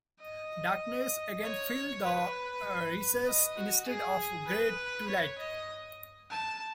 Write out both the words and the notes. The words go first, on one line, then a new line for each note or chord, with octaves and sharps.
Darkness again filled the recess instead of the grey twilight.
D#5
C#5
B4
D#5
F#4
G#4
B4
C#5
D#5
A5